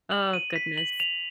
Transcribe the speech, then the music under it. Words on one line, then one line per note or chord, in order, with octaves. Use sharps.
Oh, goodness.
F#7
D#7
B6
F#7
F7